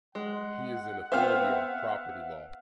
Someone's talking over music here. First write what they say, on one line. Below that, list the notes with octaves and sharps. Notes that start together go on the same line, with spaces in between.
He is an authority on Property Law.
G#3 F#5
B3 C4 C5 E5 F5 F6